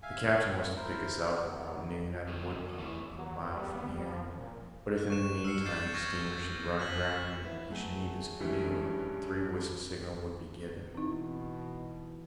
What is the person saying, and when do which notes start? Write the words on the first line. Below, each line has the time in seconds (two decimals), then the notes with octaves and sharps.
The captain was to pick us up about noon at a woodpile about a mile from here; but if in the mean time the steamer should run aground and he should need his canoe, a three whistle signal would be given.
0.02 E5 F5 G#5
0.76 E4 A#4 C5
1.31 B3 D#4
2.27 D2 F#3
2.79 E3 A3
3.18 F#3
3.42 F#2
3.56 G3
3.75 B3
3.88 G3
4.06 F3
4.23 D#1
4.39 A#2
4.98 F#6
5.10 C#6 E7
5.45 E6 F6 C7 C#7
5.65 D6 G6 A6 C7 C#7 E7
5.94 C#6 D#6 F6 G#6 A#6
6.79 F#6 B6 F#7
7.43 E4 F#4 B4
7.71 F#3 A3 G#4
8.40 G2 E3 G#3 A3 C#4
10.95 B2 E3 C4 D#4 E4